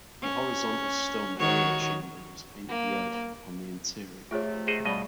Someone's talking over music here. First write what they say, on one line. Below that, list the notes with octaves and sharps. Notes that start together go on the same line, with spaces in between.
The horizontal stone burial chamber was painted red on the interior.
C#4
D#3 F#4 C#5
A#3
C3 F3 A3 F4 G#4 C#5
G#4 C5 D#5 F#5
B2 G3 D5 D#5 B5